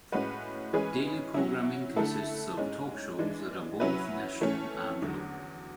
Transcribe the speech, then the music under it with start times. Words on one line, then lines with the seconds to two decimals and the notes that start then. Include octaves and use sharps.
Daily programming consists of talk shows that are both national and local.
0.12 A2 G#3 C#4 F#4 B4
0.73 E3 G#3 C#4 G#4 B4
1.34 F#3 C#4 E4
1.96 D3 A3 E4 A4
2.57 G#2 G#3 C#4
3.19 E3 G#3 D4
3.80 F#3 C#4 E4 B4
4.41 E3 A3 C#4
5.02 E2 D3 F#3